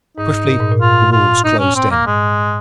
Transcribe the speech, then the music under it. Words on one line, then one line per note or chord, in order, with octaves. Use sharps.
Swiftly the wolves closed in.
G#2 D#4
A#2
G#2
A#2
F4
F4
D#4
C#4
C4
A#3
G#2 G#3